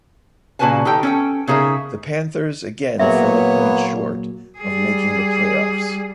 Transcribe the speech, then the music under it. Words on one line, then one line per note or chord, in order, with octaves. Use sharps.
The Panthers again fell a point short of making the playoffs.
A#2 C#3 F#4 B4 G#5 A5
D#3 G4 A4 G5
C#4 A4 G5
C#3 D#4 G#4 A#4 E5
A#2 F#3 A#3 B3 G#4 C#5 E5
G3 G#4